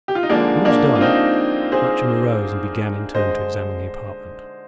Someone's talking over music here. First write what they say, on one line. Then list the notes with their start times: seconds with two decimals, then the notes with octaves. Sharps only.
When it was done, Matcham arose and began, in turn, to examine the apartment.
0.08 G4
0.15 F4
0.23 D#4
0.30 D3 F3 G#3 A#3 D4
0.65 A#3 D4
0.95 F4
1.01 C4 D#4
1.72 G#4 C5
3.15 D3 G#3 C5 D#5